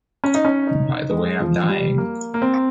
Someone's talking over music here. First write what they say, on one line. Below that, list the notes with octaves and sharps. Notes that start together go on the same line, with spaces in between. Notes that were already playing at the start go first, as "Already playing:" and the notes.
By the way I’m dying.
C#4
D#4
C#4
D#4
G#3
F3
F3
G3
A#3
A#3
C4